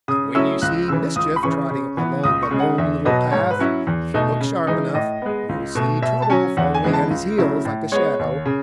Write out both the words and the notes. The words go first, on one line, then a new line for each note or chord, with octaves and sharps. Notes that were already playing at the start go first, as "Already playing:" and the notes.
And when you see Mischief trotting along the Lone Little Path, if you look sharp enough, you'll see Trouble following at his heels like a shadow.
C#3 D#6
F#3 A3 C#4 E4 E6
C#2 F#6
C#3 E3 E6
C#2 D#6
B5
C#3 E3 C#6
C#3
E3 B3
C#2 D#6
C#6
C#3 G#3
F#5
E2 E5
B2 F#3 B3 D#5
G#2 C#5
B4
F#3 C#4 E4
E2
B2 A3 D#4
C#3
E3 G#3 D#4
A2 D#5
G#3 B3
C#2
B2 A3
B2 E5
A5
F#3 C#4 G#5
E2 F#5
G#5
C#3 E3 G#3 B3
A5
C#2
C#3 F#3 A3 E4
A2
G#3 B3 C#5
D#2
C#3